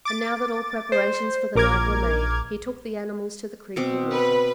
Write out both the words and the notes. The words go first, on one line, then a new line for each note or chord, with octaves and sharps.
And now that all preparations for the night were made, he took the animals to the creek for water.
D6 A6
C5
A#1 A#4 D6 F6 G#6
B2 C4 D6
B4